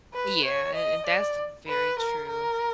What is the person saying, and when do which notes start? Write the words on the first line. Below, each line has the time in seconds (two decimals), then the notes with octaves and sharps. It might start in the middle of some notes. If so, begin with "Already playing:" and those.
Yeah. And and that's very true.
0.14 B4
0.45 C#5
0.74 D#5
1.06 D5
1.67 B4
1.99 A#4
2.29 A#4